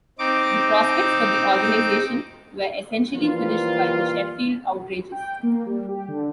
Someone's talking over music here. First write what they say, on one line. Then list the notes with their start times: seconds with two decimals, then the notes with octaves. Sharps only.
The prospects for the organisation were essentially finished by the Sheffield Outrages.
0.19 C4 D#4 D6
3.16 E3 F3 G3 A#3 F4
5.12 G5
5.43 A#3
5.66 G3
5.88 G4
6.08 D3